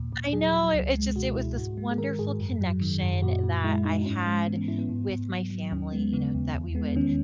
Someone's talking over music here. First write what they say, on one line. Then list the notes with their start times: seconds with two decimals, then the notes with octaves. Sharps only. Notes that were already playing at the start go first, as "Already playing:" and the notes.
I know, it it just it was this wonderful connection that I had with my family, you know, that we would
Already playing: D#2 A#2
0.12 A#2
0.33 F#3 G#4
0.53 F#3
0.74 C#2
0.95 G#3
1.16 B2 F#4
1.36 C#2 E4
1.57 G#2 F#4
1.77 G#3
1.90 G#4
1.98 D#3 A#4
2.19 G#2 G#4
2.40 F#2
2.61 F#3
2.81 D#3
3.02 F#2
3.22 A#2 F#4
3.44 A#2
3.64 G#3 E4
3.85 G#3 D#4
4.06 G#2 C#4
4.27 G#3
4.47 E3 B3
4.57 C#4
4.68 G#2 E4
4.79 B3
4.89 G#2
5.09 G#2
5.30 F#3
5.50 F#3
5.72 D#2 C#4
5.92 G#3 B3
6.13 C#3 B3
6.34 D#2
6.55 E2
6.75 G#3 B3
6.96 D#3 C#4